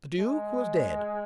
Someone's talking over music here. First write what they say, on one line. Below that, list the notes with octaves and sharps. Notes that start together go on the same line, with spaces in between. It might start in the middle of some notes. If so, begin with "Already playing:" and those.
The Duke was dead.
G#3